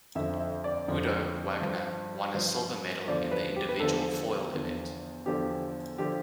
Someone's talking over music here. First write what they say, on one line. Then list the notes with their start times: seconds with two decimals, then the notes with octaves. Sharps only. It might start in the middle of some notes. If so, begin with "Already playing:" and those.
Udo Wagner won a silver medal in the individual foil event.
0.15 F2 D3 F3 E5
0.40 E5
0.64 D5
0.88 F2 D3 F3
1.61 G2 F3
2.34 G2 F3 C5
3.07 E2 D3 F3 D5
3.32 B4
3.56 G4
3.69 B4
3.80 E2 D3 F3 A4
4.53 E2 D3 F3
5.26 E2 D3 F3 G4
5.98 D3 F3 G4